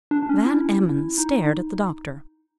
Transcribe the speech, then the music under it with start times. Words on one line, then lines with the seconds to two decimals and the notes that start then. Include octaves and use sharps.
Van Emmon stared at the doctor.
0.11 D4
0.23 D4
0.29 C#4
0.46 E4
1.18 D#4